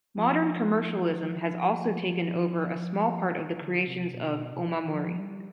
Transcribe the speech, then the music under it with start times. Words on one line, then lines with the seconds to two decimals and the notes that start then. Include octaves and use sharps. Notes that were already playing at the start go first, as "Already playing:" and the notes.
Modern commercialism has also taken over a small part of the creations of "omamori".
0.17 F3
3.34 E3
3.62 D3
3.87 C3
4.14 B2
4.25 C3
4.33 B2
4.53 C3
4.64 F3
4.73 E3
4.93 F3
5.19 G3